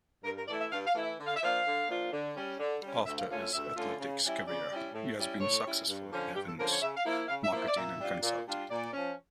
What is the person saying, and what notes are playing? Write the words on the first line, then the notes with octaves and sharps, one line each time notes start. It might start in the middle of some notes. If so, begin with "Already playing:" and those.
After his athletics career, he has been successful in events marketing and consulting.
G2 A#4
A#4
E3 A3 E4 D5
E5
G2 F5
F5
E3 A3 E4
E5
D3
F5
E5
F3 A#3 D4 F4 F5
D3
F3 A#3 D4 F4
D3
G3 C#4
D3
G3 C#4
D2 E5
F5
D3 A3 C#4 F4 F5
E5
D2 E5
D3 A3 C#4 F4
C#3
G3 C#4 E4
C#3 D5
G3 C#4 E4
A2
G3 C#4 E4
A2 C#5
G3 C#4 E4
G2
D3 F3 C#4
G2 G4
A4
D3 F3 C#4 A#4
C#5
C#3 E5
F5
F3 A#3 E4
F5
C#3 F5
E5
F3 A#3 E4
E5
D5
A#2 E5
G3 D4 F4
A#2
G3 D4 F4
A#2 D5
F3 C#4